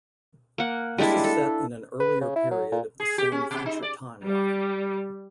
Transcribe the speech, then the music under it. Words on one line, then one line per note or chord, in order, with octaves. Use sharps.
This is set in an earlier period of the same future timeline.
A#3 F#5
G3 G#3 D4 E4
A4
B4
C#3
E4
F#3
A#2
G#4
G4
C#4
B2
D#4
D5
G3